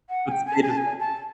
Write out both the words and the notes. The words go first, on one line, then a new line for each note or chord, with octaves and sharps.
what state is that?
F#5
G#5
G5
G#5
A5
G#5
A5
G#5
A5